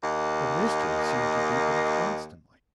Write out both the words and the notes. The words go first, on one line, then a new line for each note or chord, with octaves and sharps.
The mystery seemed to deepen constantly.
D#2 A#3 D#5